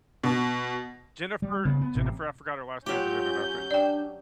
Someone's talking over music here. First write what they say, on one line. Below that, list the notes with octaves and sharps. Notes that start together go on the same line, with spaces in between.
Jennifer Jennifer I forgot her last name is in it, I think.
B2
G3
C#3 B3
B3
A1 C3
F#3 C#4 F4 G4 G6
D4 D5 G5